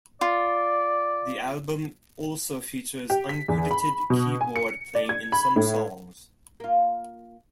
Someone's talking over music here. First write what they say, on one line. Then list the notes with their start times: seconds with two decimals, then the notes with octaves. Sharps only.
The album also features uncredited keyboard playing in some songs.
0.21 F4 D5
3.10 G4
3.29 B6
3.48 E2
3.71 B5
4.10 B2
4.41 G#5
4.56 C#7
4.95 D5
5.09 G#6
5.32 B5
5.56 A2
6.60 A#3 F4